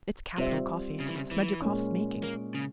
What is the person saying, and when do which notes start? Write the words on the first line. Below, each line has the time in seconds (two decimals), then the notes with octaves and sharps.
It's capital coffee: Smerdyakov's making.
0.38 C3 G3 C4 F4 C5 E5
1.00 C#3
1.08 E3
1.15 C#3
1.31 E3
1.61 A#2 G#3 C#4
2.23 A#3
2.55 C#3